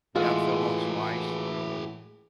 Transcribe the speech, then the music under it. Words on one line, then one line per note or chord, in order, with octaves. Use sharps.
I fell on some ice,
A2 E3 G#3 F4 F#4 G#4 F5